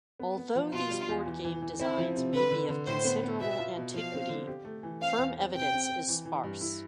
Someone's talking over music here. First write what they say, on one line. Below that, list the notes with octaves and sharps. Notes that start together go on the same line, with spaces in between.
Although these board game designs may be of considerable antiquity, firm evidence is sparse.
B3
B3
F3
B2 F4
G3
E2
E3
E3
E3
C4 E4
F3
C3
D3 B4
D3
D3
A2 C5
B3
B3
B2 E5
F4
B2
F3 F5
C4
D3
G4
A3
E3
C4 F5
E2
C4
C3 G5
C4
C4
E3
E3
G2
E4